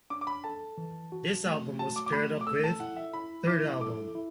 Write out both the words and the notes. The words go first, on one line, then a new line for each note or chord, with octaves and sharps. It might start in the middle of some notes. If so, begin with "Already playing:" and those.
This album was paired up with "Third Album".
D4 D6
D6
B5
A4 A5
E3
F#4
A3
F#4 A5
D6
D6
A3 B5
D6
A4 E6
A5
E4 F#5
E5
E4 B5
E4 D6
A4 D6
E4